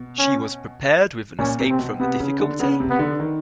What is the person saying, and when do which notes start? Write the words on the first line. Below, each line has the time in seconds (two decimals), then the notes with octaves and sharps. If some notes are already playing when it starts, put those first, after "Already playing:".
She was prepared with an escape from the difficulty?
Already playing: B2
0.18 C#4
1.39 A#2 C#4
1.59 C3
1.69 C4
1.79 B2
2.00 C3 B3
2.20 C#3
2.40 D3
2.60 C#3 B3
2.80 C3
2.90 B3
2.99 D3
3.20 D#3